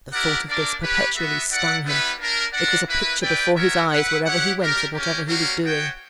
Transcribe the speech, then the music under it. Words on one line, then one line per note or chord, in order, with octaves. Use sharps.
The thought of this perpetually stung him; it was a picture before his eyes, wherever he went and whatever he was doing.
E4 G4 A#4 D5 F#5
A#3 D4 A#4 D5
C#4 G4 B4
B3 F#4 B4 E5
E4 A#4 D5 F#5
G3 B3 E4 B4
A#3 D4 A#4
D4 A#4 D5 F#5
A#3 E4 B4
E4 B4 D5 G5
B3 F#4 A#4 C#5 E5
E4 B4 F#5
E4 G4 C#5 F#5
D4 G4 A#4
A#3 C#4 G4
G3 A#3 C#4 F#4 A#4
B3 F#4 C#5 G5